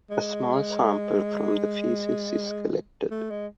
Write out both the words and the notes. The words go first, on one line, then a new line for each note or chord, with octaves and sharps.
A small sample from the feces is collected.
G#3
A3
G#3